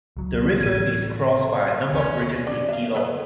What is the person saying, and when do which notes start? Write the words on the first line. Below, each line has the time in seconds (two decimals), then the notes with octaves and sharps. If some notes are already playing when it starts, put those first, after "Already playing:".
The river is crossed by a number of bridges in Geelong.
0.17 C#2 F#3
0.61 A1 G#6 D#7
1.93 D2 C#4
2.47 D4
2.69 E5 F5
2.95 A4 B4 D#5